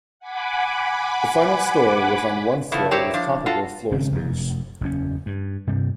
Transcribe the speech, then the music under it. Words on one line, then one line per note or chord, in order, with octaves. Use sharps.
The final store was on one floor, with comparable floor space.
F#5 G#5 B5 D6
C#3 F3 F#3 A3 B3 E4
C4 E4 G4 A#4 C#5 D5
F3 D4
F4 F#4 A4
G#1 C#3 C4 C#4
F1 F#2
F#1 E2 C#4
G2
G2 C3 G3